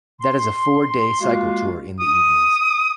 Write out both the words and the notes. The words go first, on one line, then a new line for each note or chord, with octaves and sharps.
That is a four-day cycle tour in the evenings.
C6
G#3 A#3 F4 F#4 F5
D#6